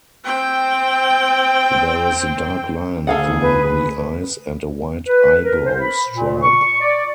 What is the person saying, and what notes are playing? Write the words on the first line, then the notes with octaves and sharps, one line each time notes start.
There is a dark line through the eyes and a white eyebrow stripe.
C4 G5
D2 G#4 A4 F5 F#5
B4
B4
A#4
C5
B5
A#2
C#6
D5